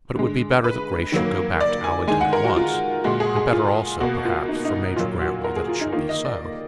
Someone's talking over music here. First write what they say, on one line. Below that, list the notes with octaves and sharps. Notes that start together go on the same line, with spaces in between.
But it would be better that Grace should go back to Allington at once; and better also, perhaps, for Major Grantly that it should be so.
D3 G#3
B4
D#3 F#3 A#3
D5
G#5
D#3 G#3 G#5
F#5
A#4
F#4
F4
A#2 G#3 F#4
G#4
G#4
F4
B2 A#3 F#4
F4
D#4
D#4
A#2 F#3 A#3 F4
F#4
A#4
G#4
F4
D#4
D#3 A#3 F4
D#5
D5